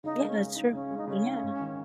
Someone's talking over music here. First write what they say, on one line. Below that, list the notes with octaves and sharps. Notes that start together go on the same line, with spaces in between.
Yeah, that's true. Yeah.
C#3 D#4
G#3 A#3
C#4
C#3
D#4
C#3 C#4
G#3
D#4
C#3 C#4
D#4
G#2
D#3